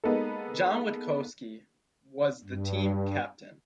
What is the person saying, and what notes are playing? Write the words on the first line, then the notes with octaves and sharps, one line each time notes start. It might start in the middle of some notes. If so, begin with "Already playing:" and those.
John Witkowski was the team captain.
G#3 A#3 B3 D#4 A4
G2